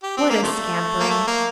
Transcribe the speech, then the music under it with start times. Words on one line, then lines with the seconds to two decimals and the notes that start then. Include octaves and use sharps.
What a scampering!
0.03 G4
0.17 C4
0.30 A#3
0.43 C3 F3 A3
1.00 A#3
1.09 A3
1.27 A#3